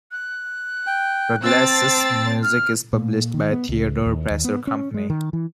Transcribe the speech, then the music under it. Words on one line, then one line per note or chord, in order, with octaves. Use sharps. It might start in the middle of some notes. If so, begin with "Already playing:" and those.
Ruggles's music is published by Theodore Presser Company.
F#6
G5
C4 A5 E6 A6
F6
A#2
D#3
B3
C#2
D#2
D#2
B3
C#4
G#3
D#3
E3